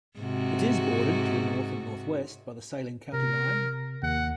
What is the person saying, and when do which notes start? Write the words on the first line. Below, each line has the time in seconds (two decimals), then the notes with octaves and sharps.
It is bordered to the north and northwest by the Saline County line.
0.19 G#2 C3 F#4
3.13 C3 A#4
4.03 D#2 F#5